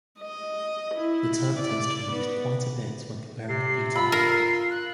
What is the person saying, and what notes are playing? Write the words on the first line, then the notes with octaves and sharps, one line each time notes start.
The term tends to be used quite a bit when comparing computer hardware.
D#5
E4
D5
B3
C3 C7
F4 B5 E6
A#4 C7
F#6